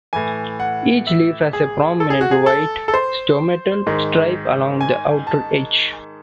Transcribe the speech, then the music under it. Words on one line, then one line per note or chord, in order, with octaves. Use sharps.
Each leaf has a prominent white stomatal stripe along the outer edge.
A2 E3 G#5
F#5
E5
G#4
A4
G#4
F#4
G#4
A4
A4
C5
G#2 D#3
G#5
A5